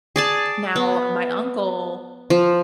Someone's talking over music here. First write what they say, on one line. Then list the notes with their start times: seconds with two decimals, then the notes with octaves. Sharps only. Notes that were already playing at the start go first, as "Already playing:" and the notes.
now my uncle
0.16 G#4 D5 A5
0.76 B3
2.30 F3